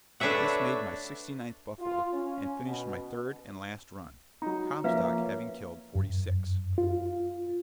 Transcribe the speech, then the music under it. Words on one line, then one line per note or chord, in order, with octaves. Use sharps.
This made my sixty-ninth buffalo, and finished my third and last run, Comstock having killed forty-six.
A3 D4 B4 C#5 E5 F#5
F4
C#4
B2
F#3 D#4
F3 A#3 C#4 B4 E5 F5
F#2
F4